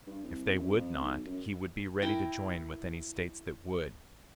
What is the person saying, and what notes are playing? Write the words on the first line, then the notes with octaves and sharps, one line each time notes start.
If they would not, he would be ready to join with any States that would.
G2
C2
F#2
F2
B1
F#2
E4 A#4 G5